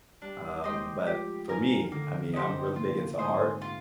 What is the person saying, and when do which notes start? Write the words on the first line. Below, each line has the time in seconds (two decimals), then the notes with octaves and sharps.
Um, but, for me, I mean, I'm really big into art,
0.22 G3 D4
0.64 G#3 G4 C5 D#5
1.06 F3 G4
1.49 D#3 A#4 F5 G#5
1.92 D3 A#3
2.33 C3 D#4 G4 C5
2.76 A#2 F4
3.19 G#2 C5 D#5 G#5
3.62 F4